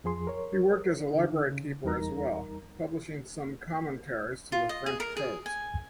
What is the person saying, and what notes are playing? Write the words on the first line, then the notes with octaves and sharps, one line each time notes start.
He worked as a library keeper as well, publishing some commentaries to the French Codes.
F2 F3 G#4 C6
A#4 C#5
D3 D#4
C#3
E2 G3 D#4 A#4 A#5
F4
D#5
G#4
A#4
G#4
G#5